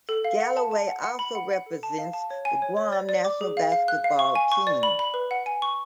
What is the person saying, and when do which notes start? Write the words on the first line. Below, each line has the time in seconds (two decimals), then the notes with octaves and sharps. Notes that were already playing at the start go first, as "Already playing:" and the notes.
Galloway also represents the Guam national basketball team.
0.09 A4
0.24 F5
0.40 F#5
0.57 A5
0.71 A5
0.87 F#5
1.03 F#5
1.19 B5
1.35 F#5
1.51 F#5
1.66 A4
1.83 A5
1.98 F5
2.13 A5
2.30 C#5
2.45 G#5
2.62 C#5
2.77 C#5
2.93 D5
3.09 D5
3.25 D6
3.41 G#4
3.57 F5
3.72 F5
3.88 F#6
4.04 F5
4.19 C#6
4.35 G#5
4.52 C#6
4.67 D5
4.83 B5
4.99 B5
5.14 B4
5.31 F#5
5.46 G#5
5.62 C#6